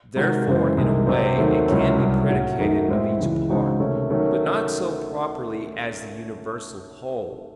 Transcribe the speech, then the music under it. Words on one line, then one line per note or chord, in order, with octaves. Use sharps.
Therefore in a way it can be predicated of each part, but not so properly as the universal whole.
C3 D#3 G#3 D#4 F#4
F#2 C#3 E3 G#3 C4
C2 C3 D#3 G#3
C3 F#3 C4
D#2 D#3 F#3 A3 C4
C#2 C3 F#3 C#4 E4
C2 C3 F#3
A2 F#3 C#4 F#4
F#2 D#3 A3 D#4 F#4
A2 G#3 C4 E4
C#2 C#3 E3 G#3
C#3 G#3 C4 D#4 F#4
C3 D#3 A3 C#4
D#3 F#3 A3 C#4